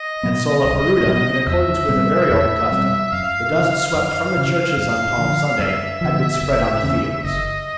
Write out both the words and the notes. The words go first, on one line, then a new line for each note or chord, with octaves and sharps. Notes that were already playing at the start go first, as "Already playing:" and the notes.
At Solaparuta, in accordance with a very old custom, the dust swept from the churches on Palm Sunday had been spread on the fields.
Already playing: D#5
B2 F#3 B3
C2
B2 F#3 B3
D#5
E2 E5
B2 G3 C4
E2
B2 G3 C4
F#2 F5
C#3 E3
F#2
C#3 E3
F#2 F5
D3 F3
F#2 E5
D3 F3
F#1
E2 C#3
F#1 D#5